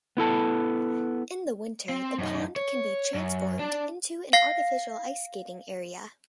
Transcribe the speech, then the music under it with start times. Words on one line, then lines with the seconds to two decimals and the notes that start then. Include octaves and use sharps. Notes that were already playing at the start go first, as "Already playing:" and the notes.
In the winter, the pond can be transformed into an artificial ice skating area.
0.17 B3 E4 A4 A5
1.89 C4
2.19 F#2 D#4
2.56 C#5
3.15 F#2
3.59 D4 D5
4.33 F5 A#6 C7